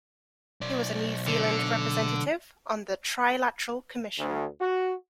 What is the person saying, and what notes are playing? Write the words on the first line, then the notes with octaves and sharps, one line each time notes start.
He was a New Zealand Representative on the Trilateral Commission.
B1 D5
D3
D2
F#4